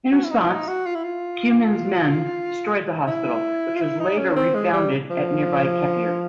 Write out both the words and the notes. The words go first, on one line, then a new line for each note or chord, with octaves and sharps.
In response Cumin's men destroyed the hospital, which was later refounded at nearby Kepier.
F#4
E4
D#4
E4
D#4
F#4
F4
E4
F4
E4
F4
E4
D#4
C#4
C4
G#3
G3
F3